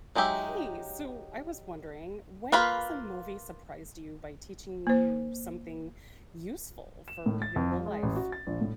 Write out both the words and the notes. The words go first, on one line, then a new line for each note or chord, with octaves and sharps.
Hey, so, I was wondering, when has a movie surprised you by teaching you something useful for your real life?
F#3 G#3 D#4 G4 E5
A#3 F4 B4 F5 B5
A#3 C5
E7
A2
A6
F2
F3
G#3
A1
F#4
A6
A#1
A2